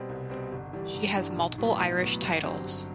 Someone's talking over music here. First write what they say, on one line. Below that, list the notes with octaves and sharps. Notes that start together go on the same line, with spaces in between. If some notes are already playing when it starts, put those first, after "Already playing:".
She has multiple irish titles.
Already playing: B2 G3 C4
C2
B2 G3 C4
G1
G2 E3 G3 D4
G1
G2 E3 G3 D4
B1
A2 F#3 B3
B1
A2 F#3 B3
G1
G2 F#3 C4
G1